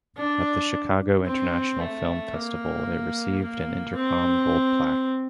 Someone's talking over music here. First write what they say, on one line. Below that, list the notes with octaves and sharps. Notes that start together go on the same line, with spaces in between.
At the Chicago International Film Festival it received an Intercom Gold Plaque.
D4
C4
A3
A#3
A#3
C4